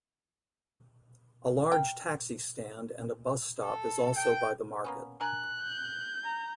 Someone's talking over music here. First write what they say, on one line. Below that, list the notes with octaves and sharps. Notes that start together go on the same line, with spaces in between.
A large taxi stand and a bus stop is also by the market.
A#4 G5
A4
G5
A#3 B3 C#4
D4 A#4 G#5 F#6
G6
A#5